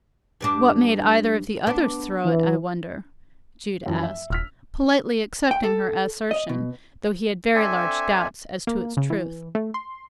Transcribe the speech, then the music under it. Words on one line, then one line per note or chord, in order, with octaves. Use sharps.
"What made either of the others throw it, I wonder?" Jude asked, politely accepting her assertion, though he had very large doubts as to its truth.
G2 G3 D4
B3 D4
E3
F#2 E3 F3
E5
D#1 E6 F6 B6
G5
A4
D#5
B2
C4 D4 A4 E5 G#5
A#3
C#3
E3
A3
C6